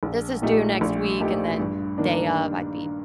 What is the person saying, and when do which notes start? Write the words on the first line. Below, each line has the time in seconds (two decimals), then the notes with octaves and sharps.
this is due next week," and then day of, I'd be,
0.03 A#1
0.42 A#2 A3 D#4 G4
0.81 A#1
1.20 A#2 A3 D#4 G4
1.59 G2
1.98 D#3 A#3 D4